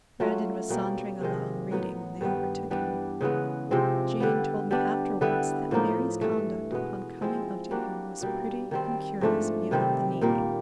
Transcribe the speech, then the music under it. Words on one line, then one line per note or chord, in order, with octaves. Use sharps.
Brandon was sauntering along reading when they overtook him. Jane told me afterwards that Mary's conduct upon coming up to him was pretty and curious beyond the naming.
F#3 A3 C#4 F4
B2 G3 A#3 C#4
C3 D#3 G#3
A2 F#3 B3 D#4
G2 D#3 G3 B3
E3 G3 B3 D4
C#3 E3 G#3 B3
C3 F3 G#3 C4
D3 G3 B3
G3 B3 D4
D3 G3 B3 E4
A2 F3 A#3 D#4
G2 E3 A3
B2 G#3 B3
F3 G#3 C4 E4
G3 A#3 D4 F#4
B2 G3 A#3
D#3 G3 C4
G#2 F3 A3 D4
C3 D#3 G3 C4
A#2 G3 A#3